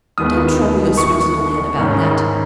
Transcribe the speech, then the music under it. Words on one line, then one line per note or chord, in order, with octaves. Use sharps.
'Don't trouble your sweet little head about that.
D#2 D#3 G#3 B3 D#6
C#6
G#2 D#3 G#3 C#4